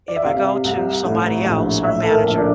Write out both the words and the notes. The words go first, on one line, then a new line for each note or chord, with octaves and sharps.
If I go to somebody else, her manager,
D5
E5
C3 F5
C2
A2
A#1
A2 E5
A4
A#4
A#1
D4